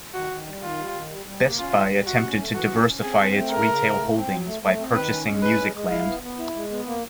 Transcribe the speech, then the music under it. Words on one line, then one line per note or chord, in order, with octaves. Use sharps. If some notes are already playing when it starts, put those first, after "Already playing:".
Best Buy attempted to diversify its retail holdings by purchasing Musicland.
D#3 F#4
D#3
G3
D#3 F4
G3
D#3
G3
G3
A#3
C#4 F4
G3
G3
C3 F#4
C#4
A3
E3 F#4
C#4
C#4
C4 G#4
C4
A3
C#3 A#4
C#3
A3
A2
C4
F#3
A3
A3
C4
D#3 B4
C#4
G#3
C#4 B4
G#3
G#3
E4 F5
B3
B3
E4
G#3
B3
A#3